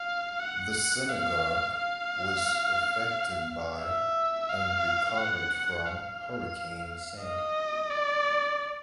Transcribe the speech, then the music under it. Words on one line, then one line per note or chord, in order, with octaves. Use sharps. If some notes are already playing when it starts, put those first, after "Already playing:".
The synagogue was affected by and recovered from Hurricane Sandy.
Already playing: F5
F#5
F5
F5
E5
F5
F#5
F5
D#5
D5